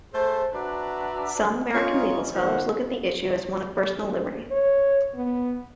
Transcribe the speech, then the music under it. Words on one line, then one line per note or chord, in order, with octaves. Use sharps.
Some American legal scholars look at the issue as one of personal liberty.
A3 G#4 A4 C5
D4 F#4 B4 D5 E5 A#5
C#4 F4 A#4 C#5 D#5
B2 D#3 F3 C5 F#5
C#5
B3